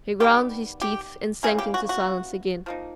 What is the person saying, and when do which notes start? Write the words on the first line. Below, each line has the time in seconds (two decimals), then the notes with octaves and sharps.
He ground his teeth and sank into silence again.
0.20 D#3 G3 B3 G4
0.82 G4
1.43 C#3 E3 G3 A#3 G#4
1.58 G4
1.74 F#4
1.89 F#4
2.66 F3 A#3 D#4